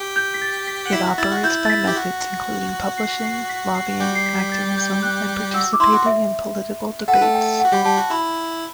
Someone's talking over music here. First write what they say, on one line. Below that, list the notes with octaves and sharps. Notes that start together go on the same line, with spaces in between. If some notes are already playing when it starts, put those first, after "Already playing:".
It operates by methods including publishing, lobbying, activism and participating in political debates.
Already playing: G4 G5
G6
B6
A6
B6
F#5
E4 E5 B6
F#4
E4 A6
F#4
E4 G6
A6
B6
G4
F#4
C7
C7
B6
C7
G3 G4
C7
B6
B6
A6
G6
F#6
F#4 E6
D6
E4 C6
F#4
E5
A4 F#5
B4
A3 A4
G5
F#5
F#4
G3 G4 B5
G3 G4 A5
F#4
E4 B5